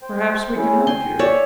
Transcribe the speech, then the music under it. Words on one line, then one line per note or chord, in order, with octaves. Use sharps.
Perhaps we can help you.'
C5 G5
C#4 E4 G#4
G5 G#5 C6
C#5 D5 E5